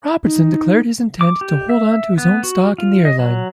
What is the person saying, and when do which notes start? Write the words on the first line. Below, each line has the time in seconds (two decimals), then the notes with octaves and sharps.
Robertson declared his intent to hold onto his own stock in the airline.
0.25 D#4
1.21 D6
1.41 G4
1.69 E5
2.18 B3
2.44 F#4
2.78 F4
3.05 D#5
3.19 F#3